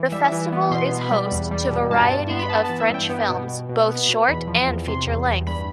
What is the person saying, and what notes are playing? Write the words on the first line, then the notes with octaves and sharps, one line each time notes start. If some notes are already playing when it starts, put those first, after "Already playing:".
The festival is host to a variety of French films, both short and feature-length.
Already playing: E3
G3 E5
E3
B3
B2 C6
B3
B5
G3
E2
G3
B2
G2 A5
G2
B3 C6
B5
B3 A5
A5
E3
E5
G2 G5
B3
B2
B2
B2
B3
B2
E2 B5
F3
E2
C3 C6
E2
E2
G2 B5